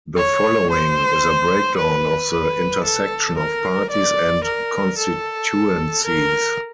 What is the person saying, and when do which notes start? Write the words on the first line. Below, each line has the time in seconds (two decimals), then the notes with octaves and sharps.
The following is a breakdown of the intersection of parties and constituencies.
0.16 C#5
0.70 C5
1.77 B4
2.31 B4
2.84 A4
3.37 A#4
3.91 D5
4.44 A#4
4.97 A4
6.05 A#4